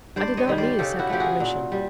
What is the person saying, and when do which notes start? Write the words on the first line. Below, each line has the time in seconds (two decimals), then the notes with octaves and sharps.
I did not need a second permission.
0.16 G2 C5 D5
0.37 C#5 D#5
0.48 D#3 G3
0.58 C5 D5
0.79 C#3 G4 A4
0.99 E4 F#4
1.10 F3 A3 G4
1.20 F#4 G#4
1.40 A#2
1.72 G3